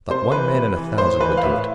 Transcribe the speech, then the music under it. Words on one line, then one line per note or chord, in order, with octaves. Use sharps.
Not one man in a thousand would do it.
C3 C5
E3 B4
C3
E3
A2 C5
E3 B4
F5
A2 E5